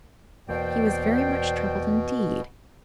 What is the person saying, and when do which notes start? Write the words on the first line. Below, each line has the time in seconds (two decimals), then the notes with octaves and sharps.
He was very much troubled, indeed.
0.49 E2 B2 A#3 C5 D5 G5